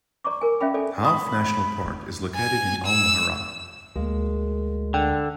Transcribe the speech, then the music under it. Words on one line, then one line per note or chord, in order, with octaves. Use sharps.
Hauf National Park is located in Al Mahrah.
D5 A#5 C#6 D6
A#4 G#5
C#4 D5 E5 F5 G5 B5
A4 D5 G#5
B5 D#6
G#5
E6
D2 G#3 A#3
D3 G5